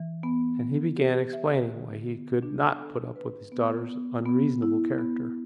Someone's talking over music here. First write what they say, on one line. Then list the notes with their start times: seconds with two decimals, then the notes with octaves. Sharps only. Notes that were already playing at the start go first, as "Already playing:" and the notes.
And he began explaining why he could not put up with his daughter's unreasonable character.
Already playing: E3
0.23 B3
0.60 B3
0.96 G4
1.33 E5
1.69 D3
2.06 B3
2.43 D4
2.78 A4
3.16 B4
3.52 B3
3.89 B3
4.26 B3
4.62 E4
4.99 B3